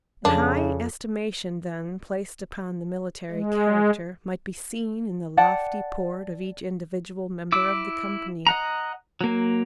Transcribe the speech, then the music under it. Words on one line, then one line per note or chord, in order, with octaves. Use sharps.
The high estimation then placed upon the military character might be seen in the lofty port of each individual member of the company.
F2 C#3 D4 D7 D#7
G#3
D5 F#5 G5 A5
E4 D6 E6
D#5 F#5 A#5
F#3 A#3